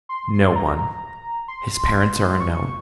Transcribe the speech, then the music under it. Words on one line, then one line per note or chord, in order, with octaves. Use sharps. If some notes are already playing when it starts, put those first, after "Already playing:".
"No one; his parents are unknown."
C6
C6
A#5
C6
C#6